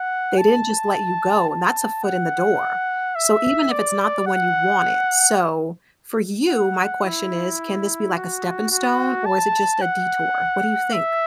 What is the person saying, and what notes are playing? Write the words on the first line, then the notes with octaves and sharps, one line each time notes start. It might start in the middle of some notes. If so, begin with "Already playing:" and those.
they didn't just let you go, and that's a foot in the door. So, even if it's not the one you wanted, so for you, my question is, can this be like a stepping stone? Or is it just a detour? What do you think?
Already playing: F#5
A5
A5
F#5
E5
D5
F#5
F#5
E4
F#4
F#4
A5
F#5
E5